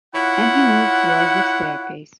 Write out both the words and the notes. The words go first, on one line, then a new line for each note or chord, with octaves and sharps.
And he moved towards the staircase.
E4 F4 C#5 F#5